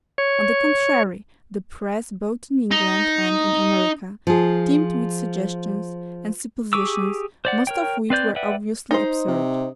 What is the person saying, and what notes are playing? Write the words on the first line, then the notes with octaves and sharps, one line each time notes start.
On the contrary, the Press, both in England and in America, teemed with suggestions and suppositions, most of which were obviously absurd.
C#5
D#4
F3 G#4
G4 G#4 C#6 D6 E6
C5 D5 F#5
A#4 C#5 G5
C4 B4 D5 G6
B4 D5 E5 F#5 G5
D#4 C5
C3